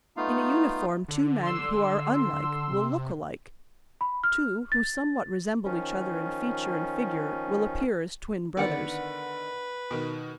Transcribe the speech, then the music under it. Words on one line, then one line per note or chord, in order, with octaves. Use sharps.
In a uniform two men who are unlike will look alike; two who somewhat resemble each other in feature and figure will appear as twin brothers.
A3 B3 D#4 F4 F5
D3
C6 E6
C3
B5
F6
A6
D#3 F3 C#4
D3 D#3 B3 B4 D5 F#5
B2 D#3